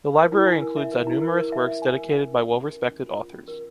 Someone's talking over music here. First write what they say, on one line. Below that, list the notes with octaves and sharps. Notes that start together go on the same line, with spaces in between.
The library includes a numerous works dedicated by well respected authors.
A#4
E4
G#5
A#4
E5
A#4
E4
A#4
A#4
E5
E5
G#5
A#4
C#4
A#4
C#4
C#4
A#4
C#4
F4
F4
C#4
A#4